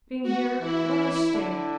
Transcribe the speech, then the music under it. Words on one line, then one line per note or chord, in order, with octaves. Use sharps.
'Being here, let us stay.
F#4
E3 E4
D3